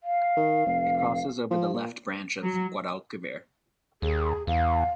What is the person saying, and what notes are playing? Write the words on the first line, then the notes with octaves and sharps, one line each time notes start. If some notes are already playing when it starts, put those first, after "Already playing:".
It crosses over the left branch of Guadalquivir.
F5
D#3
F1
F3
A#2
F#3
D#2 G#4
E2 F5